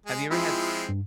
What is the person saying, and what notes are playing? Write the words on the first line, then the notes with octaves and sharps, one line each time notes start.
Have you ever had s
G#3 G#4
F3 G#3 C4 E4 F4
G2